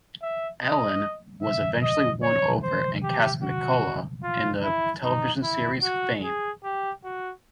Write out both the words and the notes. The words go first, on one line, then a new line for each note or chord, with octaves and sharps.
Allen was eventually won over and cast McCullough in the television series "Fame".
E5
D#5
E5
D#5
C#5
C5
G4
F#4
F4
E4
D#4
E4
F#4
G#4
G4
F#4